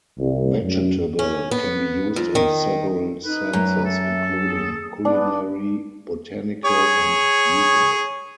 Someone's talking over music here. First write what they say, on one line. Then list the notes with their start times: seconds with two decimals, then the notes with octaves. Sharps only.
"Vegetable" can be used in several senses, including culinary, botanical and legal.
0.18 C2
0.62 F#2
1.19 C#4
1.51 B3
2.16 F2
2.35 D#3
3.25 D#4 B4
3.53 F#2 A#5
3.85 A4 E5
4.40 G#4
5.05 B3 D4
6.65 G#4 C#5